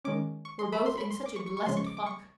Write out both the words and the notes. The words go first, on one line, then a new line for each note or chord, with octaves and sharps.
We're both in such a blessed funk.
D#3 G#3 C#4 D6
C#6
C6
B5
C6
B5
C6
D6
C#6
C#6
C#6
C#3 F3 G#3 C#4 C6
C#6
D6
D6
C#6